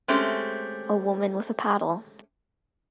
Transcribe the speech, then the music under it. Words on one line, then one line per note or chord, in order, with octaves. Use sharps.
A woman with a paddle.
G#3 A3 C4 C#4 G4